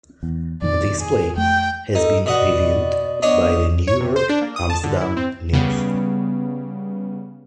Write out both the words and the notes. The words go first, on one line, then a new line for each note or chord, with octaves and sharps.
This play has been reviewed by The New York Amsterdam News.
E2
F2 A#2 D#3 D5
G#4
F2 A3 G5
D#4 A4
B2 D5 D#5 F#5
B3 D4 C#5 D#5
C#5
C3
C5
D4
A#3
D#6
A5
D3
E4
C4
C#3 G3 B3